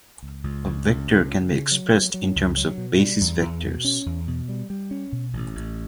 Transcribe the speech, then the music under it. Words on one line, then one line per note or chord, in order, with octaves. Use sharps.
A vector can be expressed in terms of basis vectors.
C#2
C#2
C#2
C#2
C#2
C#3
C#3
F#3
F#3
F#3
C#2
F#3
B2
G3
E2
E2
B2
C#4
E2
B2
G3
G3
C#4
B2
A1
A1